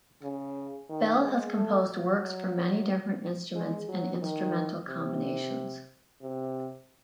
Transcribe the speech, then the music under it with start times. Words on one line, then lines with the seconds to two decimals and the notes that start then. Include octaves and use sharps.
Bell has composed works for many different instruments and instrumental combinations.
0.23 C#3
0.89 D#3
1.23 G#3
1.56 A3
1.89 F#3
3.55 G#3
3.88 F#3
4.22 D#3
4.88 C3
6.21 C3